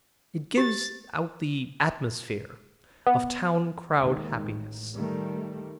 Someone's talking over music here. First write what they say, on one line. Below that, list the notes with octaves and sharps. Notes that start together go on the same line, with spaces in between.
It gives out the atmosphere of town-crowd happiness.
G4 A6
B3
D#2 D#3 G#3
A1
D#3 G3 A3